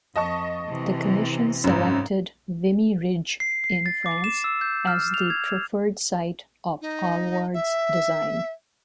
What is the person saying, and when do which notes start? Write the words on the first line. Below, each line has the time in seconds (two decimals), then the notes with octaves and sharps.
The commission selected Vimy Ridge in France as the preferred site of Allward's design.
0.16 F2 D#5 A5 C#6
0.67 C3 E3
1.64 G#1 F#2
3.40 C7
3.64 C7
3.86 A6
4.06 D6
4.24 E7
4.44 E6
4.61 G6
4.87 F6
5.14 F7
5.30 G#6
6.81 D#4
7.54 E5